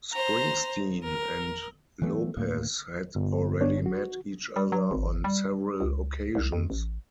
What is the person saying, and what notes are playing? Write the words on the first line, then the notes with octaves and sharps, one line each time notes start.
Springsteen and Lopez had already met each other on several occasions.
C5 A#5
A#4
E3 F#3 A3 B3
D2 A2 A3 A#3
G1
B3 D4 C#5
F#4
G3
F#3
G#1
G3
C#2
C2
F2
A1